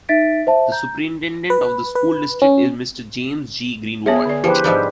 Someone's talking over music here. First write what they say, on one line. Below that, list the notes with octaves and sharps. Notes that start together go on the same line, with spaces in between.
The superintendent of the school district is Mr. James J. Greenwald.
D#4 E5 A6 B6 D7
C5 E5 A5
A#5 G6
B4
B4
C#4
B3 G#4 C#5 E5
D3 D5
F3 E4 G4 B4 C5
G#2 F3 G3